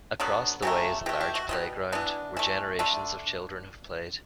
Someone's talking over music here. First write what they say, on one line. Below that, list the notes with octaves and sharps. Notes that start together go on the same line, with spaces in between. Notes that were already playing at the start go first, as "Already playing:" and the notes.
Across the way is a large playground, where generations of children have played.
D3 F#3 B3
C#3 F#3 A3 G4
B2 A3 G4
G4
F#4
B2 G3 B3
E3 B3 D4
E3 A3
D3 A3 D4